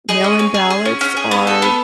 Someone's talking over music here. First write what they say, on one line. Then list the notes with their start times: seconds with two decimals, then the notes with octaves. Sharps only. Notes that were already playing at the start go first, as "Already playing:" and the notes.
mail-in ballots are
0.09 G#4 D#5
0.24 C#4
0.39 C#4
0.54 G#4
0.70 G#4
0.85 C#4
1.01 C#4
1.17 G#4
1.31 B3
1.47 A4
1.62 B3